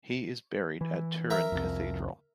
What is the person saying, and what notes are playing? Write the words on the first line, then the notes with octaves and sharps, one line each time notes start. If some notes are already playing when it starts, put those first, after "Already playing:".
He is buried at Turin Cathedral.
E3
A#4 E5 A#5
C2 F2